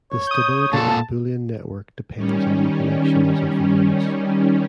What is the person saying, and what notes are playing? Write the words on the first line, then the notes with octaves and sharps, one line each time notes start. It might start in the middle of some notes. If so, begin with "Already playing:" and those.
The stability of Boolean network depends on the connections of their nodes.
C#5
D#6 G6
A#2 A4 A5
D#3 G3 C#4